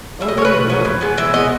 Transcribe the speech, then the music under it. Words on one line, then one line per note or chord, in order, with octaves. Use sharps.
Only one!
B2 E5
D#5
G#3 C#4 B4 C#5
B2
G#3 C#4
E3
G#3 B3
E3 E5
G#3 B3 D#5